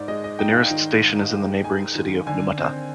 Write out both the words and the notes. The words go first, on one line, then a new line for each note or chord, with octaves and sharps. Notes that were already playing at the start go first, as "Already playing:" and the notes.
The nearest station is in the neighboring city of Numata.
Already playing: G#2 D5
G#3 D#5
D#5
D#4 G5
F5
G5
D#3
G#2
G#3
D#4 G#5
D#3
D3 G#5
C4